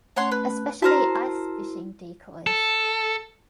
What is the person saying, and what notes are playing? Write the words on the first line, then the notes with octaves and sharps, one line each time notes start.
Especially ice fishing decoys.
A3 C#4 C#5 F#5 C6
B4
E4 F#4 A#4 C5 A5 F6
A4